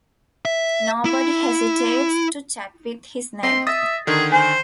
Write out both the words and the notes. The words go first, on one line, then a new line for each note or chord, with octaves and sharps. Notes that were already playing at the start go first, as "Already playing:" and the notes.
Nobody hesitates to chat with his neighbor.
E5
E4
C4 D#5 G5 C6
D#5 E5 D#6 A6 A#6
D3 D#3 G#4
C5 G#5 B5